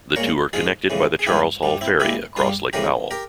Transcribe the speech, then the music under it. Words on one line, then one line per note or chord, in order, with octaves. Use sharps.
The two are connected by the Charles Hall Ferry across Lake Powell.
A#2 G#3 A#4 C#5
G#2 F3 G#3 F4 G#4
F2 C#3 E3 G#3
G#4
G2 F3 G#3 E4 G4
G2 G3
C4 E4
A#2 G#3 E4 G4
G2 G3 F4 G#4
F2 C#3 E3 G#3 G4 A#4
G4 A#4